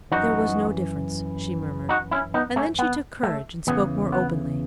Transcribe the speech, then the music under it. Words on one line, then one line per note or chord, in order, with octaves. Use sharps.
"There was no difference," she murmured, and then she took courage and spoke more openly.
F#2 E3 D#4 F#4
D#4 F#4
C#4 E4
B3 D#4
A3 C#4
B3
A3
E2 C#3 E3 B3
B3